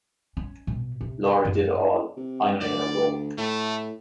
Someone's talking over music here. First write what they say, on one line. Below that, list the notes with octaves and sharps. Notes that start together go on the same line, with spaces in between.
Laurie did it all; I only let her go.
C#4
B2
C3
F#2
C3
D2 D5
A2 A3